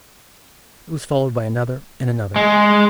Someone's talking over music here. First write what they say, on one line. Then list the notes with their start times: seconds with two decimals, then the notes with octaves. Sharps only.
It was followed by another and another.
2.36 G#3